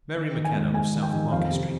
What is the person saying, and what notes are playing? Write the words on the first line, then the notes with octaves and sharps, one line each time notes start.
Mary McKenna lives south of Market Street.
D#3
D#3
G#5
G#2
G#2 G#5
D#3
G5
D#3
F2 F5
C3